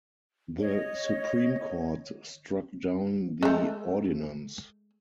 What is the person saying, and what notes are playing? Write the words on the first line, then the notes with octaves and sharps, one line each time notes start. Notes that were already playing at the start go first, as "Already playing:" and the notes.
The Supreme Court struck down the ordinance.
C#5 D#5
G#3 A3